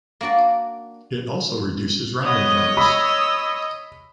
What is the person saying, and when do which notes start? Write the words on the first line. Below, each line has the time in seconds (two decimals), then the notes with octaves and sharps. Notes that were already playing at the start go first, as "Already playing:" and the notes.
It also reduces rounding errors.
0.21 A#3 D4 F#4 D5
2.23 B3 C#5 D#5 D#6
2.77 B5 D#6 E6